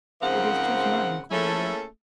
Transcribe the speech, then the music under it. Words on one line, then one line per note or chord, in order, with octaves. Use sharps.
"It is just nine, Cornelia."
G#2 C#3 F3 C4 A#4 F#5
A3 A#3 C#4 E4 G#4 A4